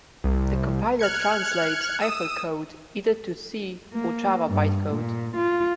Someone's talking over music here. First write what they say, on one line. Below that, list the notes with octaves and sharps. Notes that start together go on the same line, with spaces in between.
The compiler translates Eiffel code either to C or Java bytecode.
C2
F6 F#6 G#6 C#7
D#6 E6 D#7
A#3
G2
A#2
F4